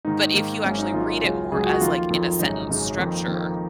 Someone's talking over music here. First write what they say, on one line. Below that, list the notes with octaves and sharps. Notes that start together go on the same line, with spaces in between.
but if you actually read it more as, like, in a sentence structure
G#2 D#3 A#3 D#4
G#2 D#3 A#3
G#1 G#2 F#3 A#3 C#4
D#4
G#1 G#2 F#3 A#3 F4
C#2 C#3 F#3
C#2 C#3 F#3 G#4
F#4
F2 D#3 A#3 F4
F2 D#3 A#3
G#1 F#2 C#3 D#4
G#1 F#2 C#3
F2 D#3 A#3
F2 D#3 A#3